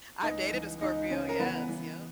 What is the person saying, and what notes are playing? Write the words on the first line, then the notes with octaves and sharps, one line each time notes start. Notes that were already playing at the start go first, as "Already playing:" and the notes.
I've dated a Scorpio, yes, yep.
C#2 D#4 D#5
E3
C#2 D#4 D#5
C#3 C#4 C#5
A#4
E3 B3 B4
E3